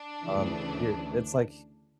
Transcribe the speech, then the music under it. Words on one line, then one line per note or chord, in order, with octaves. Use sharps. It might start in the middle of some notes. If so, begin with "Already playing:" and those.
Um, your it's, like,
Already playing: D4
D2 C#3 E3